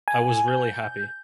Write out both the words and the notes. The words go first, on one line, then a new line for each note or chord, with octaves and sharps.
I was really happy.
G#5
G6